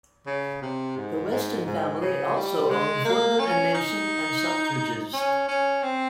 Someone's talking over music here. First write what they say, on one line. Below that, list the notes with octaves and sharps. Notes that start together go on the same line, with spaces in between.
The Weston family also own Fortnum and Mason and Selfridges.
C#3
C3
G#2
G#2
G#2
C#3
G3
G#3
A#3
C#4
D#4
C#4
C#4
C4